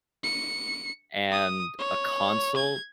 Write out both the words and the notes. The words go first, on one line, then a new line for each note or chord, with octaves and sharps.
and a console,
C#7
D#6
C#5
G#6